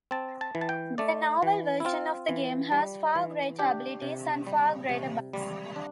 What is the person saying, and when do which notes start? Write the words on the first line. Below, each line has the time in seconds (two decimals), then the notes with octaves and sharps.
The novel version of the game has far greater abilities and far greater bugs.
0.11 C4 A5
0.41 A5
0.55 E3
0.61 A5
0.69 G5
0.98 A3 D5
1.43 E3
1.80 E4
1.85 C4 F4
2.29 E3
2.72 G3
3.15 E3
3.59 D4 G4
4.02 C3
4.47 G3
4.89 C3
5.33 G3
5.76 D4